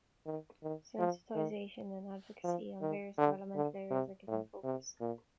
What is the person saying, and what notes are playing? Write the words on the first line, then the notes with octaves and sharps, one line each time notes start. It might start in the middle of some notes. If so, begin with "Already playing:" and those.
Sensitisation and advocacy on various developmental areas are given focus.
D#3
D#3
F3
D#3
F3
D#3
D3
D3
C3
A2
C3
A#2